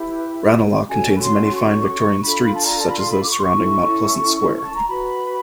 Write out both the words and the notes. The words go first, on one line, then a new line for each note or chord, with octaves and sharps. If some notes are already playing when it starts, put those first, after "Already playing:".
Ranelagh contains many fine Victorian streets such as those surrounding Mount Pleasant Square.
Already playing: E4 G4 B4
C#4 F#4 A4 C#5 G#5
B5
C6
C#6
D6
C#6
D4 F4 A4 B5
A5
A#5
A5
B5
C6
B5
D6
C#6
C6
C#6
C#4 E4 A4
A5
A#5
F#4 B4 B5